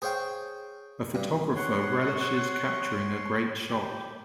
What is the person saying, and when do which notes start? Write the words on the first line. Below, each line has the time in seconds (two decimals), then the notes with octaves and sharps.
A photographer relishes capturing a great shot.
0.02 G#4 C5 C#5 F5 G5
1.15 G2
1.55 C#5 F#5 C6
3.69 G4